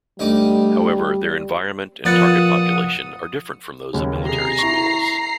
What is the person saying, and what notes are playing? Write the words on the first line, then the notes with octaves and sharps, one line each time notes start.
However, their environment and target population are different from those of military schools.
D2 G3 D#4 D6
A#2 F3 B3 F#5 D#6 A6
D#2 C#3
C3 G#4 A#5 C7
E4 C#6